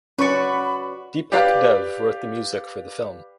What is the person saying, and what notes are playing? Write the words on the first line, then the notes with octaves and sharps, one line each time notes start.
Deepak Dev wrote the music for the film.
C#4 F#4 B4 D5 B5 C#6
G4 B4 D5 F5